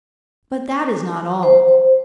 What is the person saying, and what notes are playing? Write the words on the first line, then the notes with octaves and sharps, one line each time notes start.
But that is not all.
C5